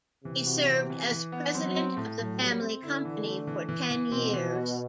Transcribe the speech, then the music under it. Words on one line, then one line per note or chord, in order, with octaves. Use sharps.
He served as president of the family company for ten years.
C3 E3
F#4
E3
E3
E3
B3
F#3 C4
C4
A2
A2 F#3
G3
C4
D3 E4
E3
A3
E3
E3
E3
B2 C4
E3
F#4